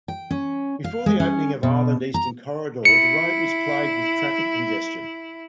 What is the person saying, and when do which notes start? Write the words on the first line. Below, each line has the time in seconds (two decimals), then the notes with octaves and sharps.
Before the opening of Island Eastern Corridor, the road was plagued with traffic congestion.
0.08 G5
0.31 C#4
0.84 F5
1.06 G#3
1.20 C#4
1.63 B2
2.14 A#5
2.85 E4 C#7